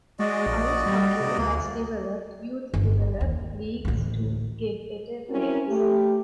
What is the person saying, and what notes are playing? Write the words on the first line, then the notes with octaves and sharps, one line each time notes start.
Ice Hockey has developed youth developed leagues to get better players.
G#3 F#4 D5 D#5
A#1
G3
C3
D2 A#3
G1
D#2
A1 D2
C4 C#4 E4 F#4 A#4
A3 G4